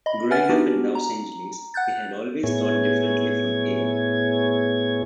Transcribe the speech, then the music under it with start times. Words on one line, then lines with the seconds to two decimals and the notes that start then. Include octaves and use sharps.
Growing up in Los Angeles, he had always thought differently from Hagen.
0.06 D#5 B5
0.31 B4 E5 F#5 G#5 F6 A6
0.49 B3 D4 D#4 F#4 G4
0.95 A#5
1.74 F#5 F#6 G6 A6
2.43 A2 B3 E4 G#4 C#5 G#6